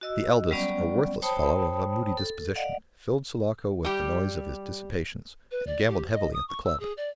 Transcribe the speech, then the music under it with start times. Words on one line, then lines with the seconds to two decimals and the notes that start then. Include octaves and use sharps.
The eldest, a worthless fellow of a moody disposition, filled Sulaco with the noise of his dissipations, and gambled heavily at the club.
0.01 F#4 D#5 E6
0.51 F#3 G3 B3 C#4 D5
1.22 C5 C#5 G5 A5 B5 D#6
2.17 A4
2.55 D5 D#5 F5 F#5
3.85 G3 G4
5.51 B4
5.66 D5
5.88 G4
6.13 D#5
6.33 D#6
6.48 C#6
6.65 E6
6.80 G#4
6.97 D5